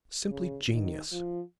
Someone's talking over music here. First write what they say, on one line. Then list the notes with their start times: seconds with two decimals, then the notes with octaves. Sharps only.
Simply genius!
0.30 C#3
0.72 D#3
1.12 F3